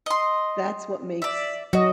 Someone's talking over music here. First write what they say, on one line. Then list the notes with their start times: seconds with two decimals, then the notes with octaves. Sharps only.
that's what makes
0.06 D#5 C6
1.22 D5 E5
1.73 F#3 F#4 D#5